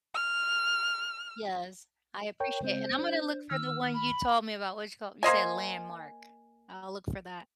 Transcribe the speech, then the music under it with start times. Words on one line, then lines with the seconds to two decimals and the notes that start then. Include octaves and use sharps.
Yes, I appreciate it, and I'm gonna look for the one you told me about. What's it called? You said Landmark. I'll look for that.
0.15 F6
2.40 A#4 C#5 G5
2.61 C#3 G#3 C4 C5
2.99 D4
3.50 D#3 E6 F6
3.93 B5
5.23 A#3 C5 D#5 G#5